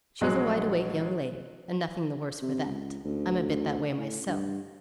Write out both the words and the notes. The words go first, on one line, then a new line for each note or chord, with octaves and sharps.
She is a wide-awake young lady, and nothing the worse for that: I'm a bit that way myself.
A#1 F#3 G#3 F#4 F#6
C3
C#2
D2
A2
G2